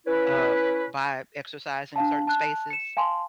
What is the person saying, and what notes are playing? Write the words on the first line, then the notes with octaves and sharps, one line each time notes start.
um, by exercising in certain spaces?
C#4 E4 B4
D4 F5 A5
A5 F#6
C#7 E7
F5 G#5 A5 C6